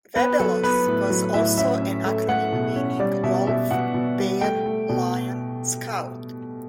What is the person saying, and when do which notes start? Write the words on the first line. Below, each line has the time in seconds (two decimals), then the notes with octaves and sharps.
Webelos was also an acronym meaning Wolf, Bear, Lion, Scout.
0.16 B3 B4
0.40 F#3 A4
0.63 B3 B4
0.87 A2
1.10 F#3
1.34 A2 E5
1.58 C#4 E5
1.82 C#4
2.05 A3
2.29 A3 F#5
2.52 B2
2.76 C#4
2.99 G3 D5
3.23 B2 E5
3.47 B2 E5
3.71 B2 F#5
3.94 B2
4.18 G3
4.41 A3 G5
4.66 A3
4.89 B2